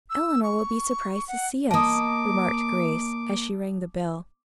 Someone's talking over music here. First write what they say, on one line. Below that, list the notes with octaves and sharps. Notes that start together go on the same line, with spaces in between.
"Eleanor will be surprised to see us," remarked Grace, as she rang the bell.
E6
C#6
F#5
A#3 D#5 A5 D6 D#6